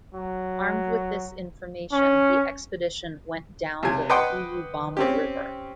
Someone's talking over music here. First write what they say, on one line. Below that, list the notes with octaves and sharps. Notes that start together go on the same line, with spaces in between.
Armed with this information the expedition went down the Urubamba River.
F#3
C#4
C#2 C3 G#5
B4 D#5 F#5 G5 C6 D6
C4 C#4 G4